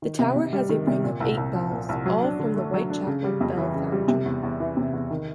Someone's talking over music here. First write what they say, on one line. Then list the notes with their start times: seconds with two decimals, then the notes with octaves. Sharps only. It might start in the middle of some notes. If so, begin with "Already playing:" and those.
The tower has a ring of eight bells, all from the Whitechapel Bell Foundry.
0.02 D#3
0.19 C3
0.36 C3
0.53 G3
0.69 D#3
0.87 C3
1.04 A#2
1.20 C2
1.37 C2
1.55 F3
1.71 A#2
1.89 C2
2.06 F#3
2.23 D4
2.39 D3
2.56 A3
2.74 F#3
2.90 D4
3.07 C#3
3.24 G3
3.41 F2
3.57 E3
3.75 C#3
3.92 G3
4.08 C3
4.26 E2
4.43 E2
4.60 E3
4.77 C3
4.93 E2
5.10 D#3